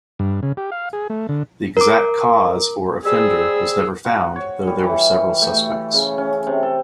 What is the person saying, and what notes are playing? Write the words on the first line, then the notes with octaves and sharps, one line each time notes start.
The exact cause, or offender, was never found, though there were several suspects.
G2
C#3
G4
F5
G#4
A3
D3
A#4 D6
G3 G#4 C5 E6
F#4
C#5
G3
E3
A3
C#3
C#4
C3
A4